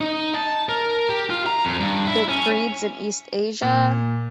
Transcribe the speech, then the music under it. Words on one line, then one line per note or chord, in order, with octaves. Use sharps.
It breeds in east Asia.
D#4
A5
A#4
G4
F4
A#5
F2
G2
E4
C#4
A#2